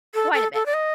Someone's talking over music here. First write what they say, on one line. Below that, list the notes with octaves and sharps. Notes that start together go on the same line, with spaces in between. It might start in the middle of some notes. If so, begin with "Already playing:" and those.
quite a bit.
A4
A4
A4
D5
D#5